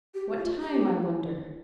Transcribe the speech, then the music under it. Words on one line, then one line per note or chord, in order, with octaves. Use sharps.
What time, I wonder.
G4
F4
G4